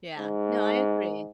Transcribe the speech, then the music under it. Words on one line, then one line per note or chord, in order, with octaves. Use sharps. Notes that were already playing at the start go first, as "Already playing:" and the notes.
Yeah, no, I agree.
G#2